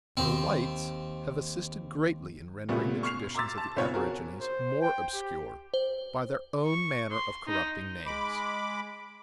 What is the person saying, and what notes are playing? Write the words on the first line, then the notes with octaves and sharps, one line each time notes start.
The whites have assisted greatly in rendering the traditions of the Aborigines more obscure by their own manner of corrupting names.
D#2 C4
A#2 C#3 G3 A3 B3
C#6 F6 C7 F7
A#5 C6 D6 E6 A6
A5
B1 C#3 B3 C4 F4 C#5
F#4 G#4 A#4
C5
G5
G4
C5
C#6
C6
D#4
G#3 B5 D6